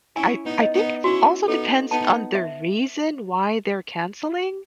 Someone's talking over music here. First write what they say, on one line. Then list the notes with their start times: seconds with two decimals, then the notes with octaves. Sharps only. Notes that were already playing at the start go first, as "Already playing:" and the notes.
I I think it also depends on the reason why they're canceling.
0.16 C#4 E4 G#5
0.45 B3 D#4
0.60 D#5
0.74 B3 D#4
1.04 C#4 E4 F#4
1.48 B3 D#4 A4
1.91 B3 D#4 A5
2.35 E5